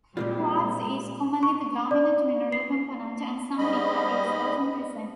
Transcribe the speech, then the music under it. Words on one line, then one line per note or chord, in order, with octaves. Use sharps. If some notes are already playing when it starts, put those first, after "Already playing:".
Quartz is commonly the dominant mineral component, and some mica is often present.
A#2 G3 G#3 C4 F4 C5 D5
C#6
D5
C7
G#2 G3 D#5 B5